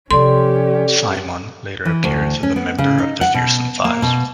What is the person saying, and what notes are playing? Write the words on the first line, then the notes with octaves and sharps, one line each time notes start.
Psimon later appears as a member of the Fearsome Five.
C3 F3 C#4 G4 A4 D5 C6
E3
D2
C#4
B3
C#3
D#4
F#5
B2
A#3
B2